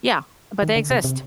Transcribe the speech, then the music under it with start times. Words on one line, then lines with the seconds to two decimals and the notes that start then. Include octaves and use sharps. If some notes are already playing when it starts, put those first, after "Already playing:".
Yeah, but they exist
0.62 D#3
0.76 D3
0.91 C3
1.04 C3